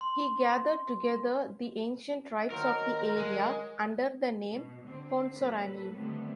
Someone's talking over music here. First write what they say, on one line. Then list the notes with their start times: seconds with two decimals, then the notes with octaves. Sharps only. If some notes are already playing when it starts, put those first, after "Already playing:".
He gathered together the ancient tribes of the area under the name Consorani.
0.01 C6
2.51 D#3 F#3 A#4 C5
3.17 G#3
4.49 B2
4.83 D3 C4
5.35 A#2 F#3 A4 B4
5.93 D3 D#3 G3 A3 B3 C4